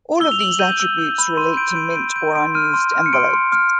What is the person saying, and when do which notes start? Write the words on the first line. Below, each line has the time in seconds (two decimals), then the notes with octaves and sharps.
All of these attributes relate to mint or unused envelopes.
0.20 E6 G7
0.32 F7
0.41 E6 F#7
0.59 G6 D#7
0.80 E6
0.98 G6
1.18 B5
1.37 C6 D#7
1.57 G6 D7
1.76 G6 D7
1.91 D#7
1.96 G6 D7
2.16 G6 D7
2.35 C6 D7
2.55 F6 D#7
2.74 C6
2.94 F6
3.06 C#7
3.13 C6 D7
3.33 C6
3.52 F6